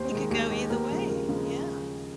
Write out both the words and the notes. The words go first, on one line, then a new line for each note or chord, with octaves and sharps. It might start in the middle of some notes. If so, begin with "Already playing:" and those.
It could go either way, yeah.
Already playing: D#2 C5
D#3 G#3
D#2
D#3 G#3
D#2 A#4
C#3 F3 G#3
D#2 A#4
C#3 F3 G#3